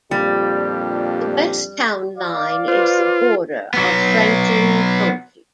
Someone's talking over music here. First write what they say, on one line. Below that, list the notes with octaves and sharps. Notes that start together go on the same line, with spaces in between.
The west town line is the border of Franklin County.
F2 A#2 G3 D4 G4
D5 F5
F4 B4 C5
F#3 B3